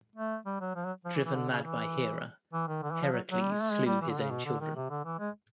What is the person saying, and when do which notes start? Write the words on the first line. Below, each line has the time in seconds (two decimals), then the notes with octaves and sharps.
Driven mad by Hera, Heracles slew his own children.
0.16 A3
0.46 G3
0.61 F#3
0.75 F3
0.85 F#3
1.05 F3
1.15 E3
1.25 E3
1.35 D3
1.49 C#3
1.64 E3
2.53 E3
2.68 D#3
2.83 D3
2.93 E3
3.02 F3
3.12 F#3
3.32 F#3
3.42 G3
3.52 G#3
3.62 A3
3.72 G#3
3.86 G3
4.01 E3
4.11 D3
4.21 C#3
4.31 B2
4.46 D3
4.61 D#3
4.76 C3
4.90 D3
5.05 E3
5.19 G#3